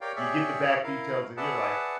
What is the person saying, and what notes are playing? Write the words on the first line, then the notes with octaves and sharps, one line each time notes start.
you get the back details and you're like,
G4 A#4 C#5 D5 F5 G5
G4 G#4 C#5 D5 E5
E4 A#4 F5
G#4 B4 D5 E5 F#5 A5